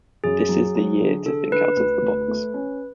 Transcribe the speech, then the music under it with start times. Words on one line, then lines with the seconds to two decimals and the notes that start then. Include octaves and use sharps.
This is the year to think out of the box.
0.24 F#2 G#4
0.49 F#3
0.75 F#3
1.01 D3
1.25 D3 A4
1.52 D3 B4
1.77 D2 B4
2.02 D2
2.28 A3
2.54 C#4